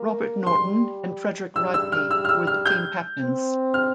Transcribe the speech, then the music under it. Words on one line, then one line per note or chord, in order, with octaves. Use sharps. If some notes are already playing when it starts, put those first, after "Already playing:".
Robert Norton and Frederick Radke were the team captains.
Already playing: A#3
G3 C6
G3 E6
E6
F6
E6
F6
E6
F6
G6
C4
F6